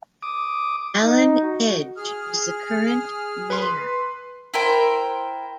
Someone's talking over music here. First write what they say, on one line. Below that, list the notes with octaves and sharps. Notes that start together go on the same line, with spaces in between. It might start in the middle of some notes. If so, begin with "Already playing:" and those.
Allen Edge is the current mayor.
D6 D#6
D#4
F#4
G#4 F6
B4 C6
E4 A#4 C5 G5